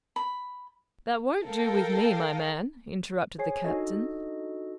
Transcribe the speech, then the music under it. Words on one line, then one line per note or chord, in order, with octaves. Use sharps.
"That won't do with me, my man," interrupted the captain.
B5
A4 A#4 F5 G5
G#4 C5 C#5 G#5 C7
D4 D#4 F#4 A4 D#5